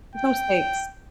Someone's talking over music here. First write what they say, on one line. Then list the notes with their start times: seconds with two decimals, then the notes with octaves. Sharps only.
There's no stakes.
0.16 G5